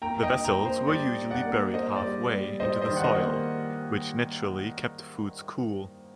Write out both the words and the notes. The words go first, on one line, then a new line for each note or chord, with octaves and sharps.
The vessels were usually buried half-way into the soil which naturally kept foods cool.
A#3 G5 A#5
D#5 G5
D4
G5 A#5
A#3
C5
G3 D5
D4
D5 F#5
A#3
A#3 C5 D#5
D5
G3
G3
G3 C5 D#5
C5 D#5
D#3
F#5
C5 D#5
A#3